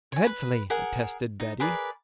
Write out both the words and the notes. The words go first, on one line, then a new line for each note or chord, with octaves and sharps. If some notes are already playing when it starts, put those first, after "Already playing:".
"Dreadfully," attested Betty.
C#5 G#5
B4
G#4 A#4 F#5
D#4
G#4 A#4 B4 D5